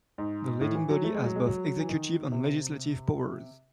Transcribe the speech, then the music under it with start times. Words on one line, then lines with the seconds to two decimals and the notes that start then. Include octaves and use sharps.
The Leading Body has both executive and legislative powers.
0.18 G#2
0.61 A2
0.75 E3
0.89 F#3
1.04 A3
1.14 G#3
1.25 F#3
1.36 G#3
1.46 F#3
1.79 E3
1.89 D#3
2.32 C3